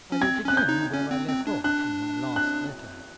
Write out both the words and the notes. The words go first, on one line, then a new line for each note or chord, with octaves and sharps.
I will begin where I left off in my last letter.
C#4
C4 G#6
C#4 F#6
G6
D#4
C#4
C4
C4
D4
D4 F#6
F#6